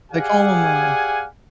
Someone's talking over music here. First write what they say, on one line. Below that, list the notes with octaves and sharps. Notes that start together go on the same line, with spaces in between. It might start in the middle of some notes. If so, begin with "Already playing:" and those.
they call 'em, uh
G4 G#4 D5 F5 F#5 G#5